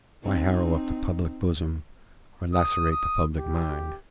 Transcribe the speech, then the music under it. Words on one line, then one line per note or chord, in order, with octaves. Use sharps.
Why harrow up the public bosom, or lasserate the public mind?
C4 D#4
D#6
D#6
G4